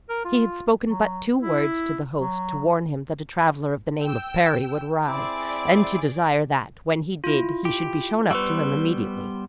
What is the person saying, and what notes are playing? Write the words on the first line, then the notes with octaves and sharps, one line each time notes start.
He had spoken but two words to the host, to warn him that a traveler of the name of Parry would arrive, and to desire that, when he did, he should be shown up to him immediately.
A#4
F4
F#3
E4
F#3
G5 E6
C4 E4 G#4 D5 D6
E4 F4
G4
G3 B3 B4 C5 C#6 E6